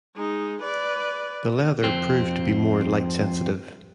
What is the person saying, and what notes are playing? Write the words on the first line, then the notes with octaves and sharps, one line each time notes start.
The leather proved to be more light-sensitive.
G#3 D#4
B4 D5
F2 C4